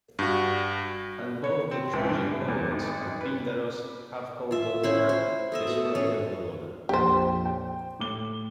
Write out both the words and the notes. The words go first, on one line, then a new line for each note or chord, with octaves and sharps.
And both the tragic poets and Pindaros have called Dodona 'Thesprotian Dodona.
G2 F#4
C#5
C4
C#2
G2
C2
E2
G#1
B4
F4 E5
C#4 E4 C5
C5
A3 D#5 E5
B2
A3 C#4
A#1 F2 G4 C5
G5
A2 D6 G7